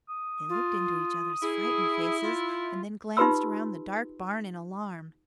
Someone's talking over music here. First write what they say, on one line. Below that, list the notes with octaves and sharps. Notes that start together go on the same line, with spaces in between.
They looked into each other's frightened faces, and then glanced around the dark barn in alarm.
D#6
F4
E4 G#4
F4
D#4 F4 G4 B4 C6 E6